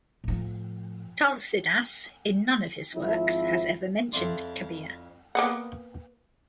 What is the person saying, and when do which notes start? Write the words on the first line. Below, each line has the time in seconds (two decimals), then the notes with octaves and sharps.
Tulsidas, in none of his works, has ever mentioned Kabir.
0.24 A2 F3
2.94 G#1 F3 C4 E4
4.12 F2 E4 D5 C6
5.35 A#3 B3 F#5